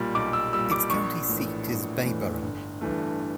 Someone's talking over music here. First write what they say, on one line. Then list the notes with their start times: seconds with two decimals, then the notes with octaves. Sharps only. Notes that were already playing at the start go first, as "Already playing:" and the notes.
Its county seat is Bayboro.
Already playing: B1 A#2 G3
0.15 B1 D6
0.33 E6
0.53 A#2 G3 E6
0.72 D6
0.90 A#1 C#6
1.29 A2 E3
1.67 A#1
2.05 A2 E3
2.42 G1
2.81 G2 E3 A3